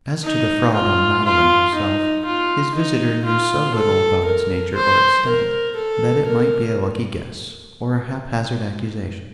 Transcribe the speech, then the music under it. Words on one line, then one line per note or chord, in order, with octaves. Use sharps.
As to the fraud on Madeline herself, his visitor knew so little about its nature or extent, that it might be a lucky guess, or a hap-hazard accusation.
D#4
F4
F4
D#4
F4
D#4
F4
A4
A#4
C5
A#4
A4
A#4